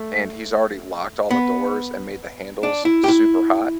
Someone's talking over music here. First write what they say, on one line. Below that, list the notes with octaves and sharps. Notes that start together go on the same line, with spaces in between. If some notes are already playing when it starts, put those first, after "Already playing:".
and he's already locked all the doors and made the handles super hot,
Already playing: A3
B3
D4
E4
G4
E4